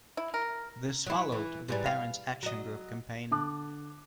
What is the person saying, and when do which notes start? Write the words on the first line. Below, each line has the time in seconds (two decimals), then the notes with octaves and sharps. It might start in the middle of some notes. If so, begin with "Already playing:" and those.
This followed the Parents Action Group campaign.
0.17 E4
0.34 A#4
1.07 F#3 E4
1.32 E3
1.68 G#2 E3 G3
1.86 F5
2.43 F#3 D#5
3.31 D3 A5 D6 F#6